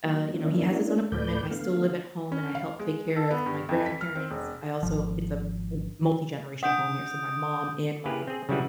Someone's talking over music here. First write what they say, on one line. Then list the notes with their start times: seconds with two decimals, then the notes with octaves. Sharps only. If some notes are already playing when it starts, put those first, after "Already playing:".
uh, you know, he has his own apartment. I still live at home, and I help take care of my grandparents. I also it's a m multigenerational home here, so my mom and my
0.05 F#3 A#3
0.34 A#3 C#4 D4 E4
1.12 D2 A2 A3 B4 D5 G6
1.51 D3 A3 B3 F5
2.32 C#4
2.55 F5
2.79 G#3
3.16 A4
3.31 B3
3.46 G2
3.69 F2
3.86 B6
4.01 F6
4.16 C4
4.31 E1
4.83 G#1 F3
6.63 D4 F#5 D#6 G6 D7
8.06 A#3 E4 G4 G#4 B4
8.27 C4 G#4
8.49 C#3 F#3 G3 E4 F#4 B4